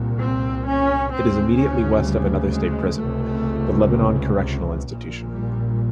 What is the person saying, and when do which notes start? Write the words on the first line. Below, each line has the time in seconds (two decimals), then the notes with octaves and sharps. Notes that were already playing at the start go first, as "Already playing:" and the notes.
It is immediately west of another state prison, the Lebanon Correctional Institution.
Already playing: C2 A#2
0.20 C4
0.66 C#4
1.13 D2 C#3 C4
1.60 C#4
2.06 G3
2.53 G#3
3.00 C#2 C3 A3
4.86 A#1 A#2
5.32 G3